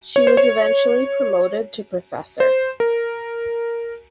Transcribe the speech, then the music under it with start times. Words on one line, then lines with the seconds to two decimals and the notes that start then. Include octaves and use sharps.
She was eventually promoted to Professor.
0.16 C#5
0.27 C5
0.37 C#5
2.40 C5
2.80 A#4